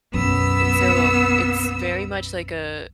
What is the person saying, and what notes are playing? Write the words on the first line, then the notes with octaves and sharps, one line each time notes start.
And so it's very much like a
B1 F#2 B3 E6